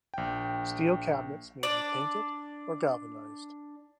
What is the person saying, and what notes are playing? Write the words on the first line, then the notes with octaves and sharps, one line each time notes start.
Steel cabinets may be painted or galvanized.
A#1 G5
D4 D5